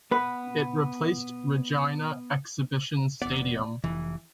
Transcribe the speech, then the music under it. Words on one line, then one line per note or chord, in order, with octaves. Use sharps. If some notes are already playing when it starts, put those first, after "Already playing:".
It replaced Regina Exhibition Stadium.
B3 B4
E1 B3 D5
F1 E3